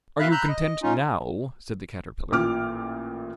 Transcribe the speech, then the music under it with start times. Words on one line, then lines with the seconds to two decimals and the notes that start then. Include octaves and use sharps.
'Are you content now?' said the Caterpillar.
0.19 B2 D#3 E5 F5 B5 F#6
0.31 A#5 B5 E6 F#6 G6
0.49 D#5
0.82 C#4 D#4 F4
2.32 A1 A#2 D6 F6